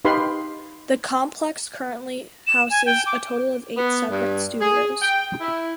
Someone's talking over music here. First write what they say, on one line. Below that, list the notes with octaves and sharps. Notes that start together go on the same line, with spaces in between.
The complex currently houses a total of eight separate studios.
D#4 G4 B4 F5 B5 C6
E7
G#5
G5
D6
B3
G2
G#4
G5
E4